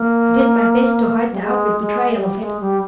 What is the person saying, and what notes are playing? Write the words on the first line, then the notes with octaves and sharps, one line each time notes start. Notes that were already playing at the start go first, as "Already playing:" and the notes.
I did my best to hide the outward betrayal of it.
Already playing: A#3
G3
G#3
G#3
G3
G#3
G3